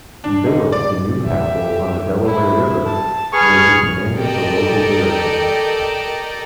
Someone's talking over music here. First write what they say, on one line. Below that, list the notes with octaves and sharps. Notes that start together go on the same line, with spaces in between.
Billopp to New Castle on the Delaware River, where he commanded the local garrison.
D4
D#4
D5
G4 E5
E4
A5
G#4 B4 C#6 F6
G4 A4 A#4 D5 D#5 G5